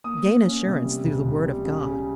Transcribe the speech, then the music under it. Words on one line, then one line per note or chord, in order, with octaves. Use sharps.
Gain assurance through the Word of God.
A#3 D#6
A#3
C#4
C3
G3
C#2
C#2
G3
C#3
C#3